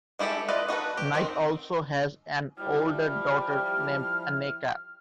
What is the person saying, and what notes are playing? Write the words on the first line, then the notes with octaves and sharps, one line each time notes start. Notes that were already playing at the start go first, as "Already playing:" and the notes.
Knight also has an older daughter named Aneka.
G#3 E4 G4 A4 E5
F4 B4 D5 D#5
D#4 F#4 A4 B4
G4
D#3 C4 D#4
F3 G3 E4 F6